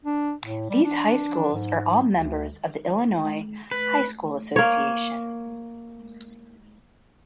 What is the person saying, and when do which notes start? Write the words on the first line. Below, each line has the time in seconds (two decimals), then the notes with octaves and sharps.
These high schools are all members of the Illinois High School Association.
0.05 D4
0.45 A2
0.70 G3
0.84 D4
1.54 G#2
2.13 D2
3.71 B4
4.56 A#3 C#5